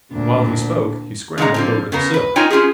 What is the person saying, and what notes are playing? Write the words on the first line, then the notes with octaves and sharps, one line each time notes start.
While he spoke, he scrambled over the sill.
D2 A#2 D4
C#3 G#3 D4 F#5 A#5
D3 F3 C4
C#3 B3 A#4
B4
D#4 F4 A#4 C#5 G5 G#5
C#4 F4 G4 G#4